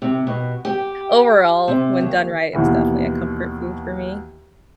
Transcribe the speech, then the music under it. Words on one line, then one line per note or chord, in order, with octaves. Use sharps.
overall, when done right, it's definitely a comfort food for me.
C3
B2
G4
C3
D#2
D#2 B2 E3